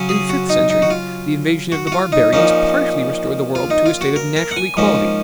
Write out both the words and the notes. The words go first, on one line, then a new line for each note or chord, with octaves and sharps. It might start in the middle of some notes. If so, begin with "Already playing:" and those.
In the fifth century, the invasion of the Barbarians partially restored the world to a state of natural equality.
Already playing: C#3 F#3 C#4
G#4
F#4
D#4
D#4
F#4
F4
F#4
F#4
F4
D#4
A#2 F3 A#3 C#4 D#4
F4
D#4
F4
F#4
A#4
A#4
F#5
G#5
G#2 F3 A#3 C#4